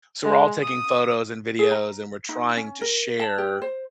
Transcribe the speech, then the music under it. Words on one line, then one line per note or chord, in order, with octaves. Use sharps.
so we're all taking photos and videos, and we're trying to share,
G#3
D#6
G#4
A#5
D#4
C#4
A#4
A5
G4
C5